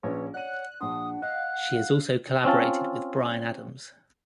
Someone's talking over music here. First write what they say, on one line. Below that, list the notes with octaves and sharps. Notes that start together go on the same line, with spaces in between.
She has also collaborated with Bryan Adams.
A#1 C#4 B4 C#5
C#5 D5 F#5 F#6 D#7
A#1 D4 F#5 C6 D#6
D#5 F5 F#6
C4 C#4 F4 A5